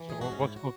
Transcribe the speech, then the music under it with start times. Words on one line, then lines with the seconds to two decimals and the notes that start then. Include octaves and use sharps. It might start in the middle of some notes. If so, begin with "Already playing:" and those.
So w what's co
Already playing: E3
0.09 G#3 G#4
0.21 G#2 F#4
0.32 C#4
0.40 G#2 E4
0.56 F#4